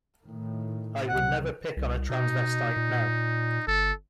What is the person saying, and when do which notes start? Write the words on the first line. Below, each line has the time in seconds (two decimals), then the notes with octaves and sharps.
I would never pick on a transvestite now.
0.24 A2 D#3
1.08 C2 C3 F#3 F#5
1.77 C2
2.10 B2 D#4
2.76 A#2
3.67 G1 A4